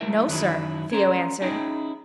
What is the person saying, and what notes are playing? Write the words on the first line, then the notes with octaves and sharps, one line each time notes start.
"No, sir," Theo answered.
F#3 A3 B3 E4 A#4 E5
F#2 D#3 E3 F#3 E4
C#4 A#4 C5
C#4 D#4 E4 G#4 D#5 G5